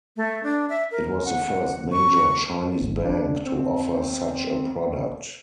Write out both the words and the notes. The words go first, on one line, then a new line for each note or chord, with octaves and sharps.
It was the first major Chinese bank to offer such a product.
A3
D4
E5
A#4
F#5
C#6
G#1
D4
C4